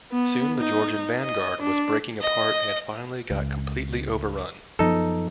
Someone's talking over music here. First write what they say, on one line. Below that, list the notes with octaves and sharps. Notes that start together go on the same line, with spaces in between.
Soon the Georgian vanguard was breaking apart and finally got completely overrun.
B3
D#4
D#5
D4
D#5
C#2
F#2 F3 B3 D#4 A4